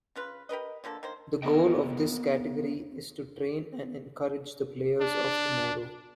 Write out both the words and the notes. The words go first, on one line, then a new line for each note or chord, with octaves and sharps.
The goal of this category is to train and encourage the players of tomorrow.
C#3 F4 B4
G4 A#4 B4 D#5
D3 F3 A#3 A4
D#3 A#3 C5
A#3 B3 A#4 D#5 G5
D4